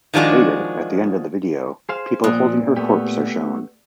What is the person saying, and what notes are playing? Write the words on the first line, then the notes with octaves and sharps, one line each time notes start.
Later, at the end of the video, people holding her corpse are shown.
D#3 F3 G#3 D4 F#4
G#4 C5 F5
A#2 F3 D#6 F#6
A3 B3 G4